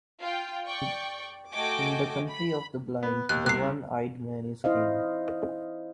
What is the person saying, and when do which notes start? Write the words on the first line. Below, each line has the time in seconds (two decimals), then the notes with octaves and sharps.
In the country of the blind, the one-eyed man is king.
0.20 F4 G5
0.65 D5 G5 C#6
1.51 A3 F#4 D#5 G5 G#5 D6
2.28 B5
3.03 B3
3.29 D#2 F#6
3.46 C2 F#6 C7
4.64 E4 C5 D#5 F5